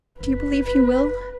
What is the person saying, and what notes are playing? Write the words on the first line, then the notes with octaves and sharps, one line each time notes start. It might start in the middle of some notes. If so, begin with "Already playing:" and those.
"Do you believe he will?"
F#1 B4